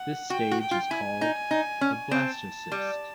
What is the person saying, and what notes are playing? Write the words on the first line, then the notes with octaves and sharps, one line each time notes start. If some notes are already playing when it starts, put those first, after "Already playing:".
This stage is called a blastocyst.
Already playing: F#5
F#4 G5
F#4
G5
F4
E4 G#5
D#4
D#4
C#4
C4 A5
G3